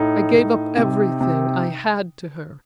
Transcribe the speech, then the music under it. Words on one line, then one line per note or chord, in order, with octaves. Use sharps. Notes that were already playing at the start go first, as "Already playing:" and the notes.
I gave up everything I had to her.
Already playing: A2 D#4
A2
C3
C3